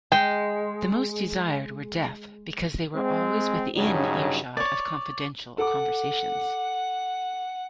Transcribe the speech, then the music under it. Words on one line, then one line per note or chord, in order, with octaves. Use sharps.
The most desired were deaf because they were always within earshot of confidential conversations.
G#3 G5
G#3 C4
G2 C#3 F#3 D#4
C#5 D5
A4 F#5 D6